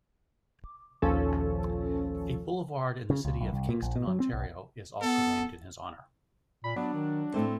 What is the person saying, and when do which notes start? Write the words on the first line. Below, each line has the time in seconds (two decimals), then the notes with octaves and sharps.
A boulevard in the city of Kingston, Ontario, is also named in his honour.
1.02 A#1 D#2 F3 C#4 A4
3.10 C#3
3.25 C#2
3.40 B1
3.53 C2
3.69 A#2
3.82 A#1
3.96 B2
4.07 F#3
4.20 C4
4.33 B1
5.01 B3 A4
6.64 A#2 B5
6.76 F#3 B3 D4
6.94 D#3
7.34 A2 A3 C4 C5